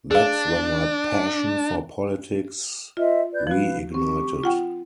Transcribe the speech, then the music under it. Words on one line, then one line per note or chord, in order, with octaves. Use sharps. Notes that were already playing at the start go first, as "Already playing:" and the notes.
That's when my passion for politics reignited.
D4 G#4 F5
F4 C5 D#5 E5
B4 D5 G6
F3 F#4 B4 F5
C4 G4 C#6
F4 F#5 G5